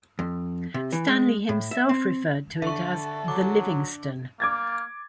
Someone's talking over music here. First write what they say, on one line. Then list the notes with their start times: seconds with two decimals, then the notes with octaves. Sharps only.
Stanley himself referred to it as the Livingstone.
0.19 F2
0.74 C3
0.93 E3
1.08 G#3
1.49 A2
1.71 E5
1.89 C4
2.62 D3 A4 E5 C#6
3.28 F#3 D6
4.40 A#3 D6 G#6 A6